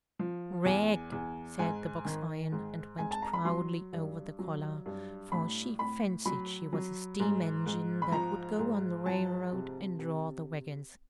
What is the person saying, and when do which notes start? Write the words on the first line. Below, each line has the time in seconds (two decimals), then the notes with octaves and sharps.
"Rag!" said the box-iron; and went proudly over the collar: for she fancied she was a steam-engine, that would go on the railroad and draw the waggons.
0.19 F3
0.65 E2 G#5
1.12 E2
1.59 G#2 G#5
2.05 D#3
2.52 G#2
2.98 G#2 G#5
3.11 A5
3.22 A#5
3.33 B5
3.45 F#3 C6
3.93 G2
4.39 F#3
4.86 G2
5.32 A2 B5
5.79 A2 B5
6.26 F#3 B5
6.73 F#3
7.20 G#2
7.66 G#2
8.02 B5
8.12 F3 A#5
8.59 G#2
9.06 F3 A5
9.53 C3
9.99 C3